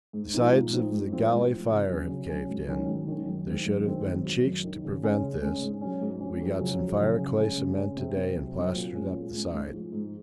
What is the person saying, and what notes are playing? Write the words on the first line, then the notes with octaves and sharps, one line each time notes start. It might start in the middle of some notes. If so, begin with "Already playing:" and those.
The sides of the galley fire have caved in--there should have been cheeks to prevent this; we got some fire clay cement to-day and plastered up the sides.
G#2
F3 C4 D#4
G#2
F3 C4 D#4
G#2
F3 C4
G#2
F3 C4
C#3
F#3 C#4
C#3
F#3 C#4
G#2
D#3 F#3 C#4
G#2
D#3 F#3 C#4
F#2
D#3 G#3 C4
F#2
D#3 G#3 C4
F#2
D#3 F#3
F#2
D#3 F#3
C#3
G#3 C#4
C#3
G#3 C#4
G#2
F#3 C#4
G#2
F#3 C#4
F2
C#3 F#3 C#4
F2
C#3 F#3 C#4
C#3
G#3 C#4
C#3
G#3 C#4
C3
F#3 C4
C3
F#3 C4
A#2
G#3 C#4
A#2
G#3 C#4
G#2
F3 G#3
G#2